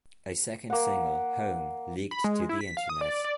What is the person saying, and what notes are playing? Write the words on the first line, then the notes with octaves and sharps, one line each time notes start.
A second single "Home" leaked to the Internet.
A#3 F#5
B5
G#3
E4
B6
F5
D#6
D5
D5